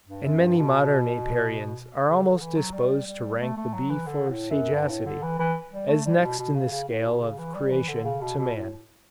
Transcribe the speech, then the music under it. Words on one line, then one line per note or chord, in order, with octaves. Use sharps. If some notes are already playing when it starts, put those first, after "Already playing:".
And many modern Apiarians are almost disposed to rank the bee for sagacity, as next in the scale of creation to man.
G2
F#2
G2
B2
C#3
D3
E3
F#3
G3
G3
A3
A3
F#3
E3
D3
A2
F#2
G2
A2
D3
E3
E3
G3
A3
G3
A2
B2
B2
C#3
C#3
A2
B2
C#3
E3
G3
E3
D3
C#3
B2
B2
A2